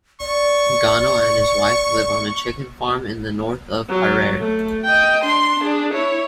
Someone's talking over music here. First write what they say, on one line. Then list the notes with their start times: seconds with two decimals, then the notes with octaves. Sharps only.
Gono and his wife live on a chicken farm in the north of Harare.
0.21 D5 C#6
3.89 F#3
4.40 A3
4.84 D#5 G5
5.24 D4 C6
5.59 D4 G#4
5.93 E4 C#5